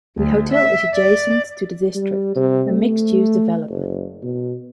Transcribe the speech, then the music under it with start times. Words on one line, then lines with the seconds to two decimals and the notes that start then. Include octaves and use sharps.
The hotel is adjacent to The District, a mixed-use development.
0.17 D2
0.52 E5
0.94 D5
1.95 G3
2.36 C3
2.69 A3
3.70 F#1
4.23 B2